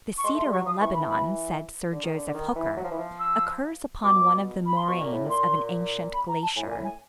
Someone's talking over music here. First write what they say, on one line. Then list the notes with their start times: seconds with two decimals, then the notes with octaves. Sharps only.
The cedar of Lebanon, said Sir Joseph Hooker, occurs upon one of the moraines of an ancient glacier.
0.18 C#6
0.24 G#3 C6
0.35 A3
0.38 C6
0.45 G3
0.52 C#6
0.55 F#3
0.66 F3 D#6
0.80 E3 C#6
0.94 E3 B5
1.08 B5
1.92 D3
2.03 D#3
2.14 D3
2.27 D3
2.34 D#3
2.55 E3
2.77 F#3
2.84 F3
2.91 E3
2.99 F3
3.19 E6
4.03 B2 D6
4.66 B5
4.77 C6
4.88 B2 C#6
5.01 A#2
5.12 A2
5.25 A#2 C6
6.14 B5
6.28 A#5
6.42 A5
6.56 A2 G#5
6.66 A#2
6.70 G#5
6.77 A2
6.84 G#5